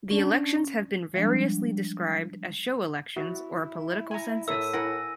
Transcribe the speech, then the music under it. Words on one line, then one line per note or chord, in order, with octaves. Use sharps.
The elections have been variously described as show elections or a political census.
C#4 D4
F3 G3 G#3 D4
E4 F#4
G#5 A#5
A2 A#4 E5 E6 D#7
E4 A#4 F#5 G#5 E6 A#6